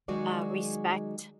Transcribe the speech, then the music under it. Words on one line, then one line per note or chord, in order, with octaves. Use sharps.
uh, respect,
D#3 F#3 G#3 F#4 G#4 D5